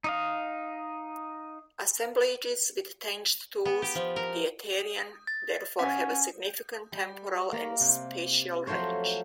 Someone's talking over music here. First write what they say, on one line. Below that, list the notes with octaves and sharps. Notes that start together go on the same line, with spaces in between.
Assemblages with tanged tools, 'the Aterian', therefore have a significant temporal and spatial range.
D#4 D#5 F5
B3
G4
F3
A#4
A6
C#4 F#5
G3
A#3 A#5
C3
F3 F#3 A3 C5 C#5